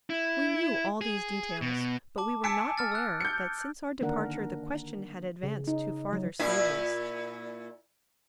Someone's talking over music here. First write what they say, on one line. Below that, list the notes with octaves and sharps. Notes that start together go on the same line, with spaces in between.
We knew all these details, but we were not aware that since our departure the question had advanced to farther stages.
E4
G#4
B2
A5 D6
G#5 A5 E6 B6 C#7 D7
F6 A6
E6 F#6
G6 C#7
D3 D#3 A#3 D4 A#4 F#5
C#3
D#4
F#3
A#2 E4